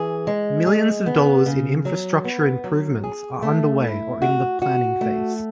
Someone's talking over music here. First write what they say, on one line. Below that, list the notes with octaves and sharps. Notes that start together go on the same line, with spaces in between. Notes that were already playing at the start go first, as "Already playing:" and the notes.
Millions of dollars in infrastructure improvements are underway or in the planning phase.
Already playing: E3 G#4
G#3
G#4
B3
C#3
F#3
B3
F#3
G#4
A3
E4
F#4
F#4
A3